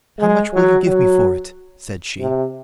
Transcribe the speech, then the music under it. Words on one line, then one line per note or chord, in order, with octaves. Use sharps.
"How much will you give me for it?" said she.
G#3
F#3
F#3
C3